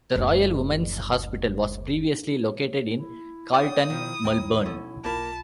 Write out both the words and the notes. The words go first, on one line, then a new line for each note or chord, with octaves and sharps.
The Royal Women's Hospital was previously located in Carlton, Melbourne.
F#1 D2
E4
C#5 D5 F#5 D#6 G6
B2 D#3 F3 E4
D#2 D#3 G5 A#5
B1 C#4 A4
B1 A#3 F4 A#4 A5 B5